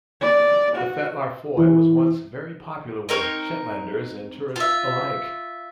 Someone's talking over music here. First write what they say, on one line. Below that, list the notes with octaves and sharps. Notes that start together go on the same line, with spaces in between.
The Fetlar Foy was once very popular with Shetlanders and tourists alike.
D5
F#4
E3
C4 D#4 A#4 C#5
F4 E5